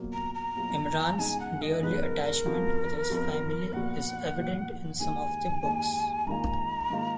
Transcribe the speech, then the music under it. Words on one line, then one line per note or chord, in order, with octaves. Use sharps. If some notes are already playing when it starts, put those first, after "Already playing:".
Imran's dearly attachment with his family is evident in some of the books.
Already playing: B2 F#3 A#3 F4
A#5
A#5
B2 F#3 A#3 F4
C#2 B2 G#3 D#4 G#5
F#5
D#5
C#2 B2 G#3 D#4 B4
A#4
A#4
F2 F3 B3 F#4
F2 F3 B3 F#4
A#2 F3 B3 F#4 F#5
A#2 F3 B3 F#4
D#2 D#3 G#3 G#5
D#2 D#3 G#3
G#2 D#3 A#3 F4 A#5 B5
G#2 D#3 A#3 F4